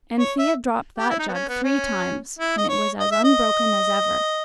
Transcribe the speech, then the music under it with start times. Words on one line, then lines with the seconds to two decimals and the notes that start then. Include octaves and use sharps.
Anthea dropped that jug three times, and it was as unbroken as ever.
0.19 C#5
0.39 E5
0.98 G4
1.10 E4
1.19 D#4
1.29 B3
1.34 C#4
1.49 B3
1.64 C#4
2.39 E4
2.57 D#5
2.69 C#5
2.99 D#5
3.11 E5
3.24 D#5